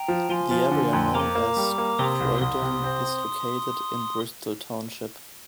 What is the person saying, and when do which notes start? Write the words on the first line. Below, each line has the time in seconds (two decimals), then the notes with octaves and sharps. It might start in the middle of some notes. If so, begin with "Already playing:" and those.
The area known as Croydon is located in Bristol Township.
Already playing: G5 A#5
0.08 F3
0.29 F3 G#5 C6
0.51 F3
0.71 D3
0.93 F2
1.14 A#3 A#5 D6
1.35 A#3
1.57 G3
1.78 A#3
1.98 C3 C6 D#6
2.20 C2
2.41 C2 C6 D#6
2.62 C3
2.84 C4